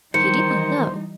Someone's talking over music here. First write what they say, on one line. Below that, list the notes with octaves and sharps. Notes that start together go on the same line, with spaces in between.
He did not know.
D#3 E3 G3 D#4 C5 C#7